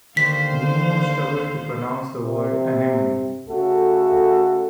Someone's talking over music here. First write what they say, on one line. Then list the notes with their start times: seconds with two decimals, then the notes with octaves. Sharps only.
Nemo struggled to pronounce the word Anemone.
0.17 D#2 D3 C5 F5 B6
2.24 C3
3.50 C#3 A3 F#4 A4